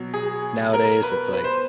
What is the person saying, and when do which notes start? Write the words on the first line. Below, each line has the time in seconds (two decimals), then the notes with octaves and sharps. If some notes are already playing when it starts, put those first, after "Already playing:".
nowadays it's like
Already playing: B2 F#3
0.14 G#4
0.73 A#4
1.03 B4
1.33 B4
1.44 C5